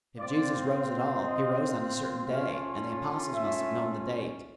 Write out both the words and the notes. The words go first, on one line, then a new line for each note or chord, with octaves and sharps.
If Jesus rose at all, he rose on a certain day, and the apostles must have known the date.
C4 F4 D5
D#5
A3 C#4 F4 F5
E5